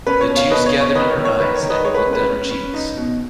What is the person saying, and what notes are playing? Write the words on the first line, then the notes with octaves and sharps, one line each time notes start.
The tears gathered in her eyes and rolled down her cheeks.
C#4 B4
C#5
B2
C#5 F5
B2 B4 D#5
C#5
B2
C#5
D#3 B4 D#5
C#5
D#3
C#5
D#3 B4
C#5
D#3
B4 D#5
G#3 C#5
B4
C#4
B4
C#4
C#4
D#4
B2